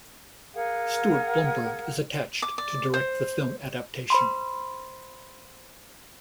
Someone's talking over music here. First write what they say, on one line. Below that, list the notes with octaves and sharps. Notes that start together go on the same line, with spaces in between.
Stuart Blumberg is attached to direct the film adaptation.
G#4 A#4 F5 F#5
D6
D5
C5
C5 B5 C6